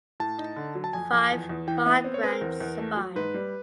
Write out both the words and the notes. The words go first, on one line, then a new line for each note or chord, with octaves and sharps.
Five migrants survived.
A2 A5
D#4
D3
F#3
A5
F2 G#5
F2
E2
E2
E3 G5
F#5
B3 E5
C4
C#5
C4 B4
A#4
E2
E2
A3
F#3
G#2 B4
G3